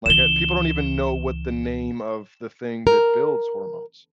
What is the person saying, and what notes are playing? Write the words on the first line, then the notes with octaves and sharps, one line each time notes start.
Like, uh, people don't even know what the name of the thing that builds hormones.
C#2 E3 E7 G7
A#4